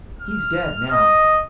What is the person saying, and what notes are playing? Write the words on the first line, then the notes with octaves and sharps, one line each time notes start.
He's dead, now.
F6
D#5